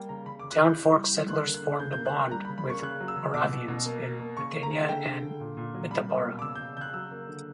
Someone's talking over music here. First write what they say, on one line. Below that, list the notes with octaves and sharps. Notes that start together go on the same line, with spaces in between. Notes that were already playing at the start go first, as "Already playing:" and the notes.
Town Fork settlers formed a bond with Moravians in Bethania and Bethabara.
Already playing: G3 A#3 G5
C#3 A#5
C#3 B5
D6
C#3
F#6
C#3 G6
E3
G3
G3
D3 F#6
A#3
F#6
D3
C#3 G6
G6
A#3
F#6
A#3
G3 A#5
B5
C#3
B5
A#3 C#6
C#3 F#6
F#3
E6
C#3
B2 D6
B2
B2
A#3
A#3
A#3
C#3 C#6
A#3
A#5
C#3
D3 G5
D3
D3
A#2
A#2
F#3
G3 B5
A#3
B2
D6
C#3 E6
G6
C#3
C#3 F#6 G6
F#3 E6
A#3
D3